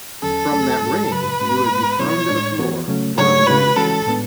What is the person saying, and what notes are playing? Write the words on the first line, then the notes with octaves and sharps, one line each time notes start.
From that ring you would be thrown to the floor for elimination.
E2 D3 F#3 C#4 A4
E2 D3 F#3 A3
G#2 G#3 D4 F#4
F#2 C#3 F#3 B4
G#2 G#3 C#4 F#4
G#2 G#3 B3
B2 F#3 B3 E4 C#5
A2 G#3 D4
E3 B3 F#4
C#3 F#3 A3 C#4
C#3 F#3 A3 D4 F#4 C#5
C#3 G#3 D4 F#4 B4
E3 G#3 C#4 F#4 A4
A2 G#3 B3 D4